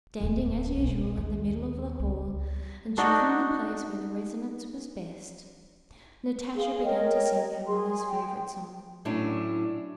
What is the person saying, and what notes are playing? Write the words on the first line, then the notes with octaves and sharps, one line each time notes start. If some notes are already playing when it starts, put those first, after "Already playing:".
Standing as usual in the middle of the hall and choosing the place where the resonance was best, Natasha began to sing her mother's favorite song.
D1 E2
B1
D#2
C#2
D4 D#4 F#4
G#4 F5
A#4 C#5 D#5 G5
G#4 C6
G5
A2 F#3 C#4 D4 E4